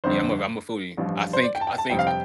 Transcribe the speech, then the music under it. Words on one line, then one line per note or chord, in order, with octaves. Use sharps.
yeah, I'm a ve I'm a foodie, I think, I think
G1 F2 D3 C5
A1 G2 F3
C5
D5
G5
A5
G5
A5
G1 F2 C3 G5
F5
G5